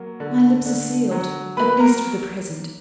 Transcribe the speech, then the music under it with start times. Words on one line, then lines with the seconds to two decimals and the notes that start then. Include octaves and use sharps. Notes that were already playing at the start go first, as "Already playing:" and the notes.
But my lips are sealed--at least for the present.
Already playing: F#3 A#3
0.20 D3
0.66 D3
1.11 F#3
1.57 A#3 B4 B5
1.79 A#4 A#5